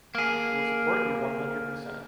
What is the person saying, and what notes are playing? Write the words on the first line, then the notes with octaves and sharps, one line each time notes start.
We will support you, one hundred percent!
A#3 G#4